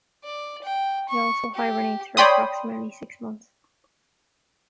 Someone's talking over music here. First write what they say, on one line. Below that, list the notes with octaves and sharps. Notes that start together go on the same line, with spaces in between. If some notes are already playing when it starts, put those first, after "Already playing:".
It also hibernates for approximately six months.
D5
G5
C#6
G4
C#5 D5 G5 B5 C6 D#6